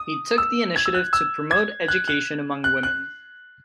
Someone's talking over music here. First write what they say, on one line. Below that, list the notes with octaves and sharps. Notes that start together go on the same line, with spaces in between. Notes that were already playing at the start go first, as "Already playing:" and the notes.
He took the initiative to promote education among women.
Already playing: D#6
E6
G#6
E6
F#6
E6
G#6
F#6
F#6
F#6
F#6